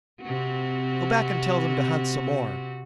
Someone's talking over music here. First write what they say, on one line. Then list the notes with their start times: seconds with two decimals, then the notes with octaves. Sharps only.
Go back and tell them to hunt some more.
0.22 C3 C4 F#4